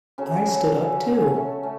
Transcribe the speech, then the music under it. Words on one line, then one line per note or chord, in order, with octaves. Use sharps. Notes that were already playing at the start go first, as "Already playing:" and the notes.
I stood up too.
C#3 F#3 C#4 A4
C#3 F#3 C#4 A4
C#3 F#3 C#4 A4
C#3 F#3 C#4 A4
A3 C#4 A4
A3 C#4